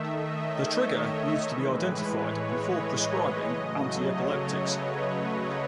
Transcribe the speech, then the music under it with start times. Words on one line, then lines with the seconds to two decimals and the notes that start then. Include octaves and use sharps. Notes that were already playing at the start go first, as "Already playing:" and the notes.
The trigger needs to be identified before prescribing anti-epileptics.
Already playing: D#3 A3 D#5 E5
0.40 C#5
1.43 A2 E3 G#3 B4
1.94 C#5
2.47 D#5
3.49 C#3 F#3 A3 D#5
4.01 C#5
4.53 B4
5.05 D#5